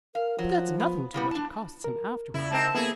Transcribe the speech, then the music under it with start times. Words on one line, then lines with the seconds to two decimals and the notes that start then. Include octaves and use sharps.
But that's nothing to what it costs him afterwards.
0.15 A#4 F5
0.39 F3 F#3
0.80 B3
1.14 C#3 G3 B3 E4
1.31 D4 A5
1.84 A#4
2.34 A#2 C#3 E4
2.51 G#2 C4 A#4 A5
2.75 A#3 B3 E4 G#4 A4